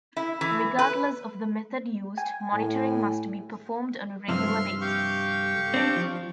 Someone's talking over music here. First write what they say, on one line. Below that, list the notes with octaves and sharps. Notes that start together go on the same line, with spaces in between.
Regardless of the method used, monitoring must be performed on a regular basis.
E4
E3
B4
G5 G#5
A2
G2 C3 F3 E5 C6 F6
G4 F5 C#6
C4 D4
F3